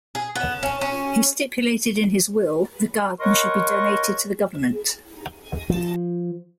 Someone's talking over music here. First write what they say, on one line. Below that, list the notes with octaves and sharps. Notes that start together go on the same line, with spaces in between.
He stipulated in his will the garden should be donated to the government.
G#4
B3
C#4
C#4
A#4 C#5 D#5 F#5 C6 C#6
F3